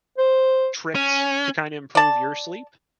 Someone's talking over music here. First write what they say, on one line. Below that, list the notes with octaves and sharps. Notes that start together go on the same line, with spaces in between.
tricks to kinda improve your sleep?
C5
C#4
D5 A5